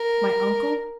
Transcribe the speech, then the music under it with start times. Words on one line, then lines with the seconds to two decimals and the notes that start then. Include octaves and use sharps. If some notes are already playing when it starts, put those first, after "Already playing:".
My uncle?
Already playing: A#4